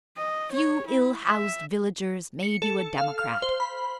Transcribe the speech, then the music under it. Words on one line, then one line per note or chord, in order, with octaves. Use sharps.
A few ill-housed villagers made you a democrat.
D#5
C#5
E4
E5
C#7
A4
F5
F6
C5
B5